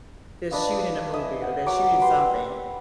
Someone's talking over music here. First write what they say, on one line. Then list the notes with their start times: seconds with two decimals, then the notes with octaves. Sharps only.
they're shooting a movie or they're shooting something.
0.51 D4 B4 D#5 F5
1.14 D#5 E5 G#5
1.42 F#5
1.66 F#3 F#5 D6
2.02 G4 B4 C6